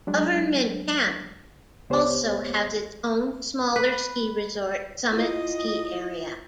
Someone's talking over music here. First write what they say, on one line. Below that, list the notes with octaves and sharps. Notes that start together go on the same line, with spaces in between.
Government Camp also has its own, smaller ski resort, Summit Ski Area.
F#3 G#3 D4
C#2 B3 G4 C5 C#5
B4
E4 F4 D#5